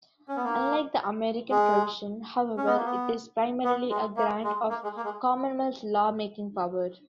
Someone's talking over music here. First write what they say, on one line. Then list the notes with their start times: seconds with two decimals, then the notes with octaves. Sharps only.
Unlike the American provision, however, it is primarily a grant of Commonwealth law-making power.
0.28 C#4
0.36 B3
0.44 A#3
1.50 G#3
2.57 C#4
2.67 B3
2.76 A#3
2.86 B3
3.64 B3
3.90 G#3
4.17 A#3
4.44 G#3
4.70 A#3
4.83 G#3
4.97 A#3
5.04 G#3